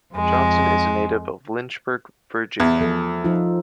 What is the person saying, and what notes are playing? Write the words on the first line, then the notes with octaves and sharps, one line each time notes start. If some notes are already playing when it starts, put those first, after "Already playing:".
Johnson is a native of Lynchburg, Virginia.
F2 G#3
E2
F3 A4
F3 D#4 F4